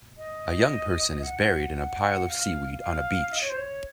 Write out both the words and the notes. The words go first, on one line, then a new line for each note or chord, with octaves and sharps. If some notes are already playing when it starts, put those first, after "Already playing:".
A young person is buried in a pile of seaweed on a beach.
D#5
F#5
F#5
F5
F5
D#5
C#5
C5
C#5